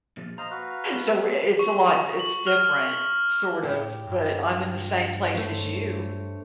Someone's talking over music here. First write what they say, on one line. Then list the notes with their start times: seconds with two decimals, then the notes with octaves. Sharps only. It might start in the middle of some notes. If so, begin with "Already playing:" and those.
So, i it's a lot it's different, sort of, but I'm in the same place as you.
0.17 A#2 F3
0.38 C5 D#5 F5 A#5
0.51 F#4 B4 F5
0.94 B3
1.59 C#6
1.88 C#6
2.19 F#7
2.47 F6
3.63 A2 G4
4.07 G2
5.34 A3 C5 C#5